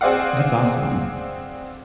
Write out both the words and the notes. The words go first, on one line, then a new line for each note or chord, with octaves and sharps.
That's awesome.
C4 G#4 C5 D5 F5 F#5